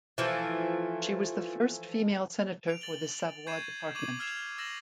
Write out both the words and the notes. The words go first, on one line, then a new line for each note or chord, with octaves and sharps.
She was the first female senator for the Savoie department.
E3 F3 A3
D7 F7
A6 F#7 G7
C#6 G6 G#6 C7 D#7 E7
C#6 D6 G#6 D#7 F#7
E6 F6 G#6 C7 E7 F7
E6 A6 A#6 E7 F#7